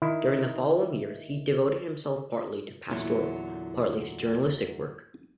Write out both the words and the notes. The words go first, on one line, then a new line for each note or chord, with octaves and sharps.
During the following years he devoted himself partly to pastoral, partly to journalistic work.
D#3 E4
E2 A#2 D3 F#3 E4